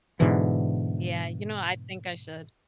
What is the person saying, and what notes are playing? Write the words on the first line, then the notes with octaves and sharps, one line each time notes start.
Yeah, you know, I think I should.
G#2 B2 D3 E3